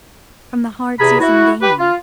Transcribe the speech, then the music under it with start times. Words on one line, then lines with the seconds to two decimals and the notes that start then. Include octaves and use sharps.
From the hard season gaining?
0.99 E2 C3 G#4 G#5 A#5 B5
1.20 E4 F#4
1.62 G4 B4
1.78 F4